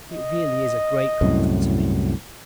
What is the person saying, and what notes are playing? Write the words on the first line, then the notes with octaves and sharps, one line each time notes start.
It really is a great comfort to me.
D#5
C2 F#2 A2